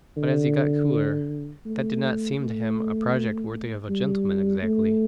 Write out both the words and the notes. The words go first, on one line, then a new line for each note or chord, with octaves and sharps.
But as he got cooler, that did not seem to him a project worthy of a gentleman exactly.
D3
A3
A3
G3
A3